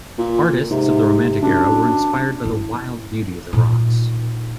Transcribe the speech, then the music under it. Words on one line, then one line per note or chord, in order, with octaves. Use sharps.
Artistis of the Romantic era were inspired by the wild beauty of the rocks.
A#2
G#2 C3
F#2 D4
E4
A#2 D#4